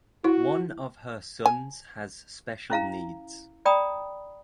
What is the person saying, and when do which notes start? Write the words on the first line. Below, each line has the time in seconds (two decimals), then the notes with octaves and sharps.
One of her sons has special needs.
0.24 E4 F#4
1.46 G#5
2.70 C#4 E4 F5 A#5
3.65 D5 G5 A#5 B5 D#6